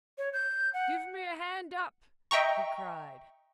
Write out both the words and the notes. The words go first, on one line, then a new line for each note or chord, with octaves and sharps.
"Give me a hand up!" he cried.
C#5
G6
F#5
D#5 E5 G5 A#5 C#6